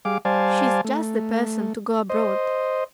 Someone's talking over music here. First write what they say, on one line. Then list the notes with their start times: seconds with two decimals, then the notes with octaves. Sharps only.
"She's just the person to go abroad."
0.05 G3 G#4 F5 D6
0.25 G3 C5 D5 F5 G#5 A5
0.85 A3
2.09 C5 D#5